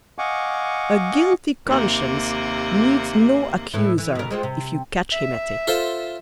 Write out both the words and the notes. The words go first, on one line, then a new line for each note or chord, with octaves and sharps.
A guilty conscience needs no accuser if you catch him at it.
D#5 F5 F#5 G#5 C#6 D6
D#2 C3 A#3
A2 E3 E4
E3
B2 A#4
G#3 C4 F4
C3
E5
F4 A4 C5